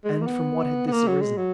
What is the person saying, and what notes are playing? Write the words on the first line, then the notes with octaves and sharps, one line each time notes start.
And from what had this arisen?
G#3
A#3
B3
B3
A#3
F#3
G#3
F#3